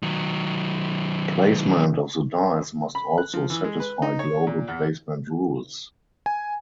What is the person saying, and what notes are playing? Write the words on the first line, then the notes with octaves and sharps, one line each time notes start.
Placement of the dice must also satisfy global placement rules.
D#3 F#3
B5
F#6
F3
E3
G#3
B4
D#4
C#5
A#2
E2
G#5